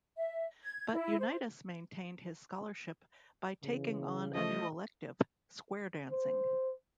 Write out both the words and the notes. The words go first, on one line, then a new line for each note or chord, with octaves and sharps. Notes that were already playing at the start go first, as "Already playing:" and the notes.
But Unitas maintained his scholarship by taking on a new elective: square dancing.
E5
G#6
E4
C5
C#3 E3
F3 A3 D#5
C5